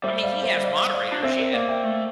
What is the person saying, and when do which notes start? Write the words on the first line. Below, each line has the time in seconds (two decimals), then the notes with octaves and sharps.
I mean, he has moderators. Yeah.
0.03 G3 C5 E5
0.23 D5 F5
0.43 C5 E5
0.64 D5 F5
0.94 D5 F5
1.12 D4
1.23 C4 C5 E5
1.38 A#4 D5
1.53 A#3 D5 F5
1.68 E5 G5
1.84 A3